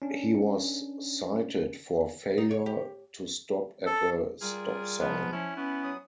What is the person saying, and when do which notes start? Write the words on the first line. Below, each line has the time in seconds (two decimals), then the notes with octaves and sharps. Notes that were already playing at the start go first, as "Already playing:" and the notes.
He was cited for failure to stop at a stop sign.
0.02 C#4 D4
2.38 D#4
2.51 C#5
2.66 G4
3.86 A4
4.41 G3 F4 G#4 A#4
5.00 F3 B3
5.15 G#3
5.33 C#4 E4
5.57 B3 C#4
5.84 F#3 D#6